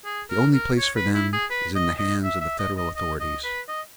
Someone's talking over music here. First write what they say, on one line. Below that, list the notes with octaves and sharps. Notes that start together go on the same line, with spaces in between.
"The only place for them is in the hands of the federal authorities."
G#4
A#4
A#4
C#5
B4
E4
G#4
B4
D#5
D#5
E5
E5
D#5
D#5
D#5
D#5
B4
D#5